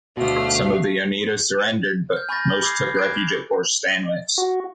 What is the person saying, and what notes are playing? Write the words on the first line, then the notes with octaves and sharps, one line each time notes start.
Some of the Oneida surrendered, but most took refuge at Fort Stanwix.
D2 B2 A3 F#4 F5
F6 G6
G#5 B5 C#6 G6 A6 A#6
B5 D6 E6 G#6 C7
F#6 G#6 D7
F#4